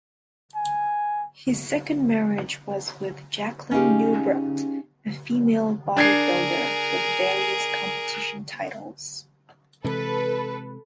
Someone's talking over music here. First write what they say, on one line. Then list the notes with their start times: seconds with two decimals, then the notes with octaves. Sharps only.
His second marriage was with Jacqueline Nubret, a female bodybuilder with various competition titles.
0.55 G#5
3.71 C#4 D#4 F4 G4 G#4
5.97 D4 G#4 A#4 G#6 C7
9.84 C3 E3 G#3 A4 B4